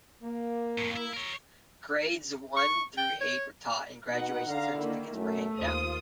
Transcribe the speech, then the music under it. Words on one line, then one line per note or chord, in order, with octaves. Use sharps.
Grades one through eight were taught, and graduation certificates were handed out.
A#3
F2 A2
E4
A#4 C#5
C#6
G5
C#5
B2 D#4 D#5 F#5
D3 F5 A#5
D#3 A#3 E4
F#2 A3
D#2 F4 C5 D#6